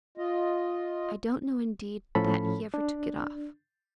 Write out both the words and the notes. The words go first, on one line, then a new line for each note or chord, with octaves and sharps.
I don't know indeed, that he ever took it off.
F4 D#5
A2 F3 C#4 A4 B5
D4